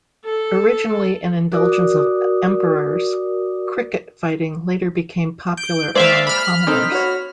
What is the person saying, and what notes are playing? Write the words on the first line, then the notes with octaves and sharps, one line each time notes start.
Originally an indulgence of emperors, cricket fighting later became popular among commoners.
A4
F#4 A#4 D5 D6 D#6
G6 D7
G#3 A#3 C5 D5 E5 F5
B5 F6
C4 D#4 A4
F#4 C#5